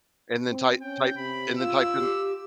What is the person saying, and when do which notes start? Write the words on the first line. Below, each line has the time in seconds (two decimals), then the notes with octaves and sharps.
and then type type and then type in
0.49 C4
0.81 C#4 G5
1.17 C3 B5
1.58 F4 E6
2.00 G4